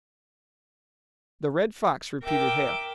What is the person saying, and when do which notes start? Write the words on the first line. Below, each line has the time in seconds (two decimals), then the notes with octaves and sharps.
"The Red Fox," repeated Hale.
2.24 A#4 E5 G5 D6